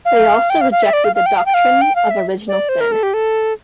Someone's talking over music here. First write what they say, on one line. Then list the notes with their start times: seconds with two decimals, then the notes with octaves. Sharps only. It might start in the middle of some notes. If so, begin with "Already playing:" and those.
They also rejected the doctrine of original sin.
0.05 F5
0.50 G5
0.61 F5
0.72 F5
0.82 E5
0.93 D5
1.04 F5
1.15 F5
1.26 G5
1.38 F5
1.46 G5
1.54 F5
1.81 G5
1.95 F5
2.11 E5
2.48 D5
2.69 C5
2.80 A#4
2.92 A4
3.03 G4
3.14 A4